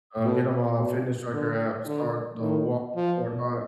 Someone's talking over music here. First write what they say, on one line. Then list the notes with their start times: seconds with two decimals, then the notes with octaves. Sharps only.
uh, get on my fitness tracker app, start the walk or whatnot,
0.24 B2
0.78 B2
1.33 D3
1.86 D3
2.41 D#3
2.96 F3